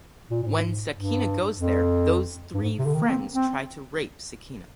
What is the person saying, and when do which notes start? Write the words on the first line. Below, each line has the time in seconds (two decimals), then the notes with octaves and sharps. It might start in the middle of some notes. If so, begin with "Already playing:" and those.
When Sakina goes there those three friends try to rape Sakina.
0.31 A#2
0.43 A#2
0.46 G#2
0.94 G2
1.58 F2
2.54 G2
2.62 G#2
2.79 C3
2.86 D3
2.94 D#3
3.03 A#3
3.10 C4
3.35 C4